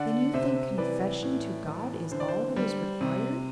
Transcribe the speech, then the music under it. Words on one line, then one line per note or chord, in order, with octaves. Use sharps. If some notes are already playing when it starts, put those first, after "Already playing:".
"Then you think confession to God is all that is required?"
Already playing: D3 D5 F#5
C3 C5 E5
E3 B4 D5
A2
E3
D3 C5
D5
C5
G3
C3